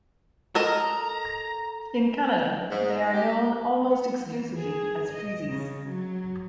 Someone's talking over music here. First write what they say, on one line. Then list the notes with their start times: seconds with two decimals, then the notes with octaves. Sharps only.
In Canada they are known almost exclusively as 'freezies'.
0.55 A4 A#4 D#5 A#5
2.71 G#2
3.13 G4
3.83 B3
4.28 E3
4.57 G#4
5.11 D#5
5.47 C#3
5.87 F#3